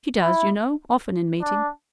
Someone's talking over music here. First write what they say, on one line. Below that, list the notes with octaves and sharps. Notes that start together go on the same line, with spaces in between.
"She does, you know, often in meeting."
E4
D4